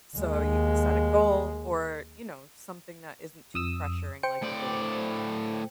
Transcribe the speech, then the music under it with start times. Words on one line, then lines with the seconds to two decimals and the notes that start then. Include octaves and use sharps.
So, you could set a goal or, you know, something that isn't too pressuring like a goal.
0.17 D#2 G#3
3.54 F2 D#6 E6
4.23 C5 G5 C#7
4.43 A2 D5